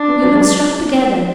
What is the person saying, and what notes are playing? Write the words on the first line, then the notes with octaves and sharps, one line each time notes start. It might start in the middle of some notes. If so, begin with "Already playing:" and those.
You look struck together.
Already playing: D4
B3
F#3
G#3
F#3